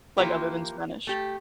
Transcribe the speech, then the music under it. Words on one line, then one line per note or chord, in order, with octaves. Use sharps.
Like other than Spanish?
E3 F3 A#3 F4 G4 A#4
A3 G4